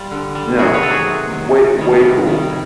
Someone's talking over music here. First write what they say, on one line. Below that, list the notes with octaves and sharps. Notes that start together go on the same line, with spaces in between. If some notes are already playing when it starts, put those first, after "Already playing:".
Yeah, it's w w way way cool.
Already playing: G3 F4
D3
G3
C3 F#4 G#4
B4 C#5
D#3 F#3 A4
F#4 G#4
C3
D#3 F#3
C3
D#3 G3
C3
D#3 G3
A2